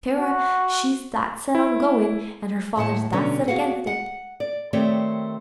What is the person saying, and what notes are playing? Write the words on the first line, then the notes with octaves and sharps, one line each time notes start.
Clara, she's that set on goin', an' her father's that set against it.
F#4
E4
D#2 A2 F#5 A5
B2 D3 G3 B3 C#4
F#4 G#4 F5 F#5
F#5
D5
D#3 A3 C4 G4 C#5 D5